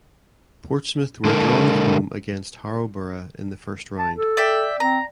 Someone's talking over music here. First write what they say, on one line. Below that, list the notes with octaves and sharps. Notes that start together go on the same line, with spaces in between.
Portsmouth were drawn at home against Harrow Borough in the first round.
D3 G#3 A4 A#4
A5
A4
D5 E5 G5
C4 A#5